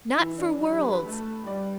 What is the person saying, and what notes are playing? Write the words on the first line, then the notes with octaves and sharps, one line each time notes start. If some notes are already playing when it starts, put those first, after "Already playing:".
'Not for worlds!
E3 E4
E4
D4
D4
F#3 F#4
G4
B4
B4
A3
G3 D5